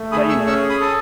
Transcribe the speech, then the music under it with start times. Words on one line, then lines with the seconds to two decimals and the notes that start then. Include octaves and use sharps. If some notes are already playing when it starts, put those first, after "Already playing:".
but, you know
Already playing: A3
0.12 G#4 B5 D#6
0.29 C#6 E6
0.47 C#4 C#6 E6
0.69 B5 D#6
0.80 A4 D#6